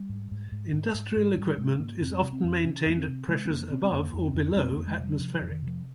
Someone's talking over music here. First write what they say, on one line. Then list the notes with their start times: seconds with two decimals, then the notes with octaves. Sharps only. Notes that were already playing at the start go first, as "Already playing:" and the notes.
Industrial equipment is often maintained at pressures above or below atmospheric.
Already playing: G3
0.09 G#2
0.31 G#2
0.52 G#2
0.73 G#2
0.94 G#2
1.16 G#2
1.38 G#2 G3
1.58 G#2 G#3
1.79 G#2 A#3
2.01 F2 C4
2.22 C3
2.33 C4
2.44 F2
2.64 C3 C#4
2.86 F2 A#3
2.96 C4
3.08 C3
3.28 C3 G#3
3.45 C4
3.49 F2 A#3
3.71 C3 C4
3.84 C4
3.91 F2 A#3
4.13 F2
4.24 C4
4.34 F2
4.56 F2 C4
4.72 F2 A#3
4.87 G#3
4.98 C3
5.03 G3
5.19 C3 F3
5.35 F3
5.41 F2
5.52 D#3
5.63 C3 F3